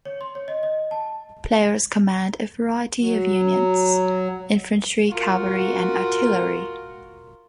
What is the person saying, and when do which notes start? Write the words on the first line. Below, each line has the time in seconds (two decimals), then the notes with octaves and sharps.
Players command a variety of units: infantry, cavalry, and artillery.
0.05 C#5
0.21 C6
0.35 C#5
0.48 D#5
0.63 D#5
0.91 A5
3.00 F#3
5.09 F4 F#4 A#4